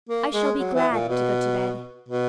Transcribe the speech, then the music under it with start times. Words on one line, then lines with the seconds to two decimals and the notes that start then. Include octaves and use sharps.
"I shall be glad to go to bed."
0.09 A#3
0.33 G#3
0.59 F#3
0.75 E3
0.92 A#2
1.09 B2
2.08 B2